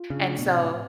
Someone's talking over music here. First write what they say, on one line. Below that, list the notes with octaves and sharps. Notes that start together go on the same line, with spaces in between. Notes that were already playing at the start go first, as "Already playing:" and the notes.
And so
Already playing: F4
C#3 D4
A3
B2
A2 C3
A2